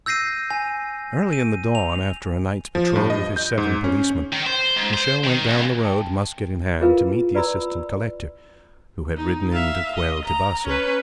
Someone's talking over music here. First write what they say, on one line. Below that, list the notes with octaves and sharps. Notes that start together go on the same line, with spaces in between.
Early in the dawn, after a night's patrol with his seven policemen, Michele went down the road, musket in hand, to meet the Assistant Collector, who had ridden in to quell Tibasu.
E6 G6 A#6 C7 D#7
G#5
D#7
F7
F3
G2
D#5
G6
G#2
C#4
D#3
C5
G#2
C5
D#3
C#2
G5 A5
E4 F4 G#4 A#4 B4 F5
B4 D5 A#5 B5 E6
D#4
E5 F5
D#5
A#5
C#4 B4